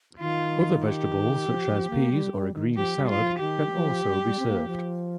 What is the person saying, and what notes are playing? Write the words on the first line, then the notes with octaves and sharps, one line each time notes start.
Other vegetables such as peas or a green salad can also be served.
D#3 F4
G4
F3
F3
A#3
G3
G3
D#3
F3 G4
G3
F4
F3
D#3 G4
F3
G3
G3
C4
A#3
F3